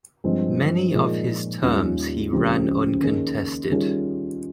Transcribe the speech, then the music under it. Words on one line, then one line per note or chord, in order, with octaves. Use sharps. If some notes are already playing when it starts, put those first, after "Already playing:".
Many of his terms he ran uncontested.
G2 F3 G#3 C4
A#2 F3 G#3 D#4 G#4
D#2 D#3 G3 C#4 F4
C#2 C#3 F3 C4 G4
D#3 A#3 C#4 G#4
D#3 G3 C#4 F4 G#4